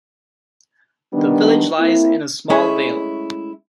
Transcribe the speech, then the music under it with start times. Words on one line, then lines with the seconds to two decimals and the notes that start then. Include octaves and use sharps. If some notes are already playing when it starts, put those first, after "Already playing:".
The village lies in a small vale.
1.13 D#3 G3 B3 D4
1.79 A#3 C4 E4
2.50 G#3 A3 C#4 E4 G#4 C#5